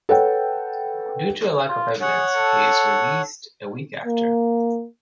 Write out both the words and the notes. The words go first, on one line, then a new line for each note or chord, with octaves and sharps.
Due to lack of evidence, he is released a week after.
A4 B4 C#5 F#5 G5
F4
G#4 C#5 F#5
A4
A#3